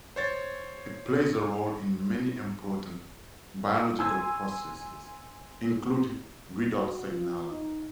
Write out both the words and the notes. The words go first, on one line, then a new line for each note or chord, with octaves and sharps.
It plays a role in many important biological processes, including redox signaling.
C5 C#5 A6
G#5 C6 E6 G#6
F#4
F4
D#4